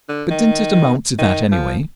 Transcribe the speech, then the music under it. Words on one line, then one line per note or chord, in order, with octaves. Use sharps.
"But didn't it amount to that anyway?"
D3
D#3
D#3
F3